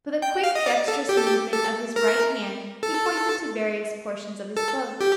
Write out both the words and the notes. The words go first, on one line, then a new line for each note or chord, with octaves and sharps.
With a quick, dexterous movement of his right hand he pointed to various portions of his clothes.
G5
F5
D#5
D5
A4
G4
A4
G4
A4
A#4
A4
A4
G4